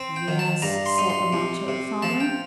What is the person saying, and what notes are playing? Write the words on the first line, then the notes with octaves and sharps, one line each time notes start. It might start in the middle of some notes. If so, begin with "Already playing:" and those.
"Yes," said the Mud Turtle Father.
Already playing: C4
G5
D#3
A5
G2 A#5
C6
D#4
C6
C3
C3
F3 A5
G5